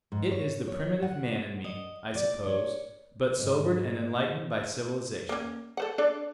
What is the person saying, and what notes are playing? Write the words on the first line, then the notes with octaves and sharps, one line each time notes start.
It is the primitive man in me, I suppose, but sobered and enlightened by civilization.
G#2
C#5
C#5
F#5
D#5
D5
C#5
G#2
A#3 C#4
A4 C5 F#5
D4 A4 D5